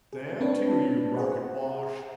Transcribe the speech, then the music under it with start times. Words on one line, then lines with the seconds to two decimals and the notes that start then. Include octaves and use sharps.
"Stand to, you rocket wash!"
0.13 G#4
0.41 C4 D4 B4 C#5 A5
1.17 G#4 C5 F#5